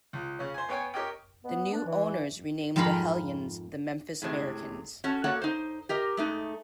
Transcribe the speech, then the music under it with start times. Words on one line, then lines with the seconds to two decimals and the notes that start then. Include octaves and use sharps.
The new owners renamed the Hellions the Memphis Americans.
0.13 C#2
0.39 C#3 C#4
0.54 C5 G#5
0.69 B3 C#5 G5 G#5
0.94 G4 A#4 C#5 D#5 G5
1.43 B3
1.72 D4
1.86 E3
2.76 F2 G#2 F4 A#4 F5 B5
4.22 A2 C3 G#3
5.04 C#4 F#4 A4
5.24 A#3 F#4 A4 C#5 D5 F#5
5.42 D#4 C5
5.89 G4 A#4 D#5
6.17 G#3 A3 D#4